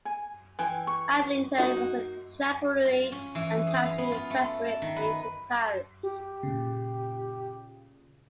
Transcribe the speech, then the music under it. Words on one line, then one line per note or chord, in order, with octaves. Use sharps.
Adlington was a chapelry and township in Prestbury ancient parish.
G#5
E3 G5 G#5
C#6
A#3 D#4 F#4
F4
C#4
E3
G#4
F5
B3
F4
A3
A5
D#3
B4
G4
A#2 C#3